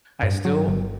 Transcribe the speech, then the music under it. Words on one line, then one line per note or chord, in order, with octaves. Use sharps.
I still
G2
F#3
G1